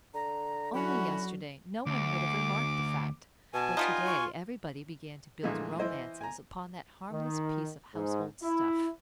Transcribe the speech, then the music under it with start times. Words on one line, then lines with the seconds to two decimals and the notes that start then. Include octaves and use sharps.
Only yesterday no one would have remarked the fact, but to-day everybody began to build romances upon that harmless piece of household stuff.
0.14 D3 A#5
0.74 F#3 C#4 E4 F#4 B5
1.86 D2 D6
3.54 B2 G#5 A5
3.77 G3 B3 D#4 F4
4.06 C#6
5.43 A#2 D3 E3 F3 G#3 A3
5.79 E3 E4 C5 D#5
6.21 G#5 A#5
7.12 D#3
7.94 G#2
8.43 E4